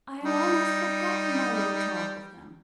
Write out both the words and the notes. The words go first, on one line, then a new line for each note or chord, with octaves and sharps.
I had almost forgotten my little talk with him.
G3 D#4